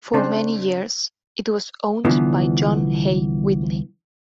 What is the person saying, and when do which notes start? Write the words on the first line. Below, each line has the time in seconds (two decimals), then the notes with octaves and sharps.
For many years it was owned by John Hay Whitney.
0.13 C#3 C4 D4 C5
2.05 C2 D3 E3 F3 B3